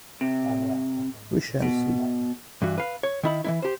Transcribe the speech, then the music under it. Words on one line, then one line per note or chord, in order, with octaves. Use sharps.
We shall see.
C3
B2
G2 E3 F#4
B4 F5
C#5
D#3 E4 B5
E3 G#3 E4
G4 C5